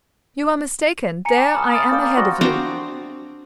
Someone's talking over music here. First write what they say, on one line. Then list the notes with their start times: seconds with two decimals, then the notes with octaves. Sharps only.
"You are mistaken; there I am ahead of you."
1.25 G#5 A#5 C#7
1.38 D6
1.54 A5 B5 D#6 F6
1.72 D#6 F6 A6
1.91 A#3 D5 G5
2.17 C4 F#4 D5 C6 A#6
2.41 C4 D4 F#4 A#5